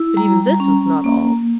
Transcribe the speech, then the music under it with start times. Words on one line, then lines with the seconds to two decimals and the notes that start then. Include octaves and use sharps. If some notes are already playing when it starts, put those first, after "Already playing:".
But even this was not all.
Already playing: E4
0.17 G3 A#5
0.60 C#4
1.04 A#3